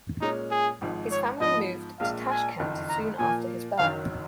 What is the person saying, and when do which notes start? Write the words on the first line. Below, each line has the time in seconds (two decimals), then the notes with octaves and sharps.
His family moved to Tashkent soon after his birth.
0.21 A#2 G#3 C#4 D#4
0.51 G#4
0.81 G#1 G#2 F3
1.11 C#5
1.40 G#2 F3 B3 D#5
2.00 A#1 A#2 G#3 F5
2.30 G#5
2.60 F#1 F2 D#3
2.89 A#5
3.18 A#2 F3 A#3 G#5
3.78 F#1 F#2 D#3 F#3 F5